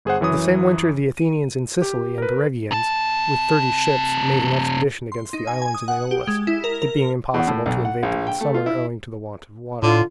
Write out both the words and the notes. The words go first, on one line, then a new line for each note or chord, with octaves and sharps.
The same winter the Athenians in Sicily and the Rhegians, with thirty ships, made an expedition against the islands of Aeolus; it being impossible to invade them in summer, owing to the want of water.
G1 G#4 C5 F#5
F#2 E3 C#5 D#6
D#7
G4
A#4 B4
C3 A5
C6
D#4
G#5
G#5
D#6
F#5
G4
G#3
E4
A#4
A#4
E2
A2
B1
F#5
A#1
G5
A3
F4
E4
A2 D3 F4